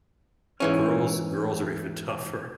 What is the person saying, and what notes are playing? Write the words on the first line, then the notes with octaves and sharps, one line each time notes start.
girls girls are even tougher.
G#2 E3 C#4